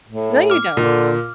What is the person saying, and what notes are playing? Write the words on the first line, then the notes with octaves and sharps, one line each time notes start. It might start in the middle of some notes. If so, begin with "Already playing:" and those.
No, you don't.
A2
D6 F6
A#2 D3